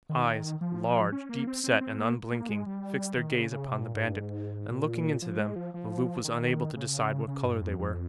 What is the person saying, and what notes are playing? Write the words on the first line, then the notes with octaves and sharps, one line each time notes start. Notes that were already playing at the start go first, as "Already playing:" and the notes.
Eyes, large, deep-set and unblinking, fixed their gaze upon the bandit, and looking into them, Le Loup was unable to decide what color they were.
D#3
F3
C#4
A#3
C4
C4
C4
A#3
A#3
G#3
G3
D#3
C#3
C#3
C3
A#2
G#2
G2
G#2
A#2
F3
G#3
F3
F3
D#3
C#3
C#3
G2
F2
F2